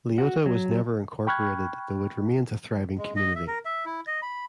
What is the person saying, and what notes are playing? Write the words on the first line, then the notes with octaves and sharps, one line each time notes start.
Leota was never incorporated, though it remains a thriving community.
F#4
F#3
G5 B5 C#6 F6 F#6 G#6
G#3
D#5
E5
A#4
E5
E4
D#5
B5